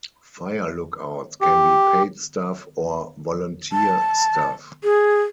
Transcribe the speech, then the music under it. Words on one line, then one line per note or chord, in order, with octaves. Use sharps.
Fire lookouts can be paid staff or volunteer staff.
G4
A5
G#4